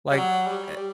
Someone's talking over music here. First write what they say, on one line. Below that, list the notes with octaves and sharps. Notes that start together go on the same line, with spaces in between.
like, a
G3
F#3
G3
G3